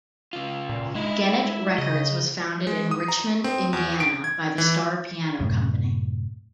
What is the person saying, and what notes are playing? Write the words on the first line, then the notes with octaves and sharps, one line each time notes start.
Gennett Records was founded in Richmond, Indiana, by the Starr Piano Company.
C#3 F4
A#2
G#3 D#4 E4
C#3 D#5
G#3
D#6
A#5
C4
E2
D7
G#6
E3
F#2 A2 C3